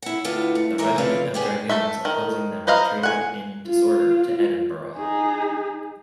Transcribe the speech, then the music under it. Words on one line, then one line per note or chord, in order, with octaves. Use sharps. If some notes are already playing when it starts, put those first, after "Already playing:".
The regiment of dragoons opposing them retreated in disorder to Edinburgh.
E4 F#5
A2 D3 B3 F4
A3
E3 D#4 A#4 E5
F3 A3 C4 B4 D5 F5
B3 G4 G#4
A3 A4 E5
D#3
B4 C5 D#5 F5 A#5
F#5 G#5
F4
D#4 G#4